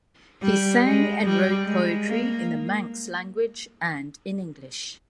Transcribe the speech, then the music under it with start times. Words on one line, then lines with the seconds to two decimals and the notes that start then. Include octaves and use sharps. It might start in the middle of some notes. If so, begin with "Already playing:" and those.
He sang and wrote poetry in the Manx language and in English.
0.42 G3
0.84 G#3
1.24 G3
1.66 G#3
2.07 A#3